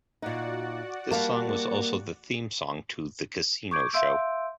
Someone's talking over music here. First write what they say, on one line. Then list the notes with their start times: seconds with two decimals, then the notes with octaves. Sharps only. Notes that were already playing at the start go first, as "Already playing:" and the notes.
This song was also the theme song to "The Casino" show.
0.22 A#2 D#4 F#4 D5 F#5
1.11 G3 A#3 F5 A5
3.71 C#6 D6 G6 G#6 D7
3.93 E5 F5 C6 E6 G6 D7